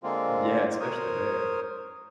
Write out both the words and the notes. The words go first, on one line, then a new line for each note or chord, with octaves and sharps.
Yeah, especially there.
D3 G#3 A#3 C4 F4
A#4 C5 C#5 D#6